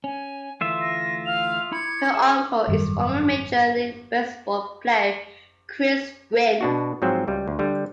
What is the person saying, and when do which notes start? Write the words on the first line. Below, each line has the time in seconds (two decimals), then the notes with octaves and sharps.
Her uncle is former Major League Baseball player Chris Gwynn.
0.04 C#4 G#5
0.61 D2 E3 A3 F4 E5
0.81 A#6
1.26 F5 F7
1.72 E4 B5 G#6 C#7
2.15 G#4 E5
2.67 G#1 F#2 D#3 G3
6.61 B2 D4 F#4
7.02 G#2 F3 F#3 C4
7.28 C#2 G3
7.48 D2
7.59 D3 G3